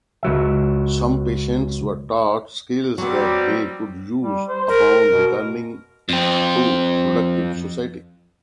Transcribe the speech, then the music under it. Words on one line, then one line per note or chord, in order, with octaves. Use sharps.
Some patients were taught skills that they could use upon returning to productive society.
C#2 F#3 E5
F#3 G3 B3 C4
G3
C5
A#4
B2
F2 C4